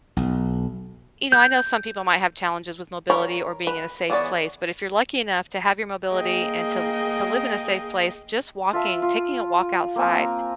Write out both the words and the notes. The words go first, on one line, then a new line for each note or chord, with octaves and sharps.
you know, I know some people might have challenges with mobility or being in a safe place, but if you're lucky enough to have your mobility and to to live in a safe place, just walking taking a walk outside,
B1
G6
A#4 C#5 B5
B4
E3 B3 G#4 C#5 D5
A#3 G#4 D#5 G5
F4 E5 A5
F4
A#3 C4 G#5 A5
A#5